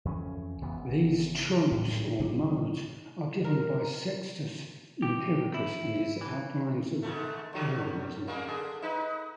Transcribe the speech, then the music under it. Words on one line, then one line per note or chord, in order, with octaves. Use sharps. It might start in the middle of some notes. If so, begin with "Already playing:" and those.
These "tropes" or "modes" are given by Sextus Empiricus in his "Outlines of Pyrrhonism".
F2 E3 C#4
G#1 C#3 E3 B3
A2 G3
D2 C#3 F#3 A#3
A#4
G4
E4
E3
G#2 D#3 A3
D3 F#3 G3
A#2 G#3 A#3
D3 G#4
D#4 B4